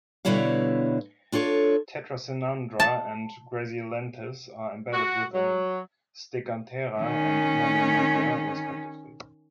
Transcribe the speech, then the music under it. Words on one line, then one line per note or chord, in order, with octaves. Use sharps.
"Tetrasynandra" and "Grazielanthus" are embedded within "Steganthera" and "Mollinedia", respectively.
B2 D3 G3 E4 C#5 F5
D4 F4 A4 C#5
A5
F#4
F#3
D#3 C#4